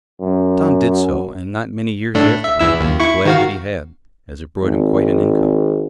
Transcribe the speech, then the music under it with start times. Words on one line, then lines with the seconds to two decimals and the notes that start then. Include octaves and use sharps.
Tom did so, and, not many years afterward he was glad that he had, as it brought him quite an income.
0.21 F#2
2.14 A2 A3 D4
2.44 E5
2.59 E2 E4 E6
2.81 D#2
3.00 E4 C#6
3.25 D#3 F#4 F5
4.63 G#1